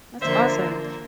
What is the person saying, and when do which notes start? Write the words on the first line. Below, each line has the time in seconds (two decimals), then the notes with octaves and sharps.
That's awesome.
0.20 D3 F3 A#3 C5 E5